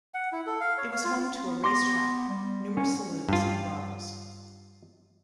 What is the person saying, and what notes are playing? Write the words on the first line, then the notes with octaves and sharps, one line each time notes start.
It was home to a racetrack, numerous saloons, and brothels.
F#5
E4
A4
F5
C#5
F5
F4
B3
B3 C6 D6 A#6
G3
C#4
G2 F4